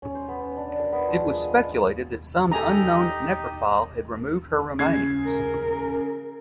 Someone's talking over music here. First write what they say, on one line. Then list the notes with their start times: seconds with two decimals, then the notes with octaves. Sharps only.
It was speculated that some unknown necrophile had removed her remains.
0.02 C#4
0.15 C5
0.28 B3
0.40 C#4
0.57 D4
0.79 A#4
0.92 B3
1.08 F3
1.22 G#4
1.37 D#5
1.49 D#5
2.52 D#4 G4 A4 D#5 G#5 A#5
4.79 C#3 G#6 C7
5.25 A#4